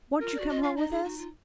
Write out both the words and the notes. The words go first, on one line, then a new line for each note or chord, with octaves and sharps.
"Won't you come home with us?"
F4 A#4
D5
F#4
D#5
F4
F5
D#4 D#5
G#4
D#4 F#4
F4